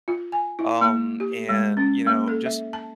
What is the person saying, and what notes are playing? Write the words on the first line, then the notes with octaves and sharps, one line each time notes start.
um, and, you know, just
F4
G#5
E4
A#3
G4
G#3
C#4
A#3
A4
E5
A5